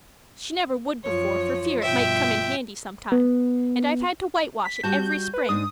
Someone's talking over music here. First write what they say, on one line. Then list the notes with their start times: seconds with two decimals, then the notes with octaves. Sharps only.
She never would before for fear it might come in handy sometime and I've had to whitewash it every spring.
1.03 F#2 F3 C#5
1.82 G2 B2 F3 E5 G5
3.12 B3
4.65 B6
4.83 G3 F#4 A5 G6
5.34 B4
5.49 G#2 D4 D#4 D#6